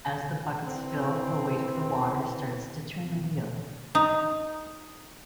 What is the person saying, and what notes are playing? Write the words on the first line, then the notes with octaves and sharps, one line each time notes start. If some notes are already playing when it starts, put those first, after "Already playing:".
As the buckets fill, the weight of the water starts to turn the wheel.
E3 C4
D#4